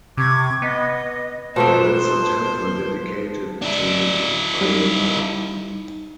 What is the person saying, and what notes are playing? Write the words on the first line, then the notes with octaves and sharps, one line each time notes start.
There is a temple dedicated to Ayappa.
C3 C#6 D6 G#6
B3 D#5
B2 F3 A3 C4 B4 C5 A5 A#5
D4 E4
G3 D#4